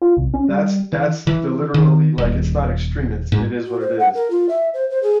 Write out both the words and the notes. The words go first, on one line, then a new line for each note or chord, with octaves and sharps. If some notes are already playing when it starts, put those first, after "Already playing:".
That's that's the literally, like, it's not extreme, it's it is what it is.
F4
C2
C#4
G3
E3
E3
D#3
D#1
G#2
F#4
C5
F#5
A#4
F4
E5
C5
C5
G#4